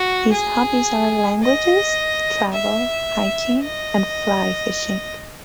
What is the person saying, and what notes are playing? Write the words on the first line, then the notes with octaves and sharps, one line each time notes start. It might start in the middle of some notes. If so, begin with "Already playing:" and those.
His hobbies are languages, travel, hiking and fly fishing.
Already playing: F#4
G#4
D#5
E5
D#5